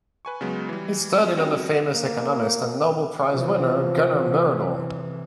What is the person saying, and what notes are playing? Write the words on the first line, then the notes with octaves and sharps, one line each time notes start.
He studied under famous economist and Nobel Prize Winner Gunnar Myrdal.
B4 G#5 C#6
C#3 F#3 G#3 B3
E3 G3
F2 G#3
G3 C4 C#4 D#4 F#4
A#3
C3 E3 F3